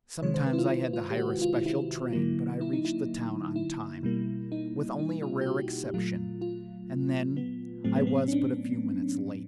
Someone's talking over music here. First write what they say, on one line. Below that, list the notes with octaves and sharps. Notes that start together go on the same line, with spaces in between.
Sometimes I had to hire a special train, but I reached the town on time, with only a rare exception, and then I was but a few minutes late.
C3 D#3 G#3 C#5
C5
B4
E4
F4
E4
F4
G4
F#4
F#4
F4
E4
E4
D3 F#3 A#3
E4
D#4
E4
E4
B2 G3 A#3
D#4
D#4
F4
G4
F#4
A#2 F#3 A3 F4
F4
B3
A2 F#3 A3 C4
B3
C4
C#4
D4